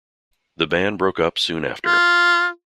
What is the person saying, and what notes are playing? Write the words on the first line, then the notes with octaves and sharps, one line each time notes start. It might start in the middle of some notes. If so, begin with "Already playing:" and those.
The band broke up soon after.
F4